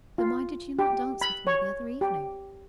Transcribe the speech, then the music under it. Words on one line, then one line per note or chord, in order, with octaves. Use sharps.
"Then why did you not dance with me the other evening?"
F4
G4
B5
C#5
G4